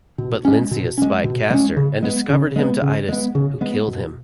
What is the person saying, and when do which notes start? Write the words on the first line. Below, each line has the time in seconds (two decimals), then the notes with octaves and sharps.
But Lynceus spied Castor and discovered him to Idas, who killed him.
0.18 B2
0.45 G#3 C#4
0.71 B2
0.98 G#3 C#4
1.24 B2
1.50 G#3 C#4
1.77 C#3
2.03 G#3 B3
2.30 C#3
2.56 G#3 B3
2.82 C#3
3.09 G#3 B3
3.35 C#3
3.61 G#3 B3
3.88 B2